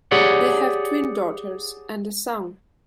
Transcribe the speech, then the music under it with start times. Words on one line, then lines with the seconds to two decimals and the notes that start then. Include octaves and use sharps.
They have twin daughters, and a son.
0.11 G4 G#4 C#5 D5 F#5